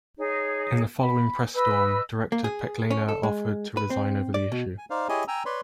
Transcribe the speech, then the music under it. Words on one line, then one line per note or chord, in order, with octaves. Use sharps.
In the following press storm, director Pechlaner offered to resign over the issue.
D#4 G#4 C#5
B5
B4 D#5 B5 E6
A#3
G#4
C#4
A4
G#3
B4
C4
D5
B2
G#5
D#4 C5 D5 F5
E4 G4 G#4 C#5 D#5 G#5
G5 G#5 A#5 E6
B4 C#5 D5 B5 C6